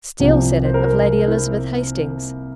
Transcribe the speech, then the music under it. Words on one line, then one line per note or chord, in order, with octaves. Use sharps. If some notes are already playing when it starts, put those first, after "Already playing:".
'Steele said it of Lady Elizabeth Hastings.'
C2 C3 F3 G4
C5
A#4
E4